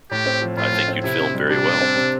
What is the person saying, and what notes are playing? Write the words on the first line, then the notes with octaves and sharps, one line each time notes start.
I think you'd film very well.
A2 G4
C4
F3
A2 F4
A2
C4
C3 E4
C4
G3
C3 D4
C3
C4
C3